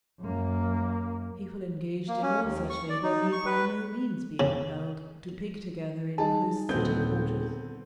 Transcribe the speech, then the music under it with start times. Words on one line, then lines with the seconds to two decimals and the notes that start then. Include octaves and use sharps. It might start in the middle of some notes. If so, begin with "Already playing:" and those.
People engaged in all such labour need by no means be compelled to pig together in close city quarters.
0.20 F#2 A#3
2.08 A#3
2.22 C#4
2.43 D#2
2.70 C#6
2.90 D5
3.03 D#4
3.32 C#6
3.46 B4
4.40 C#3
6.18 G3 D#4 G#4 A5
6.69 D#1 D3 B3 C4 G6